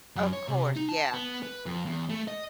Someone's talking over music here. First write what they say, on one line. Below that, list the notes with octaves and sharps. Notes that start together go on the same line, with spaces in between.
Of course, yeah.
F#2
C#5
C3
D#4
A5
B3
B4
F2
E2
A3
D#5